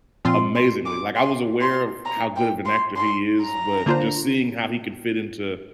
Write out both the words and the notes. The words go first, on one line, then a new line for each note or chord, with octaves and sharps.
amazingly, like, I was aware of how good of an actor he is, but just seeing how he could fit into,
A#2 F3 C4 F4 C6
C6
D6
C6
C6
A#5
G5
C6
C6
A#5
D3 A#3 D4 F4 C5